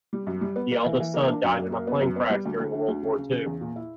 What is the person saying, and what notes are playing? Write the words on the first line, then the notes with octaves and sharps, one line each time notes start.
The eldest son died in a plane crash during World War Two.
G3
F#2
G3
B3
A#3
E3
E3
A#3
D4
F#2
F#2
A#3
B3
F#2
B3
G3
D2
D2
D3
D2
C#3
C#3
C#3
E2
A#2
E4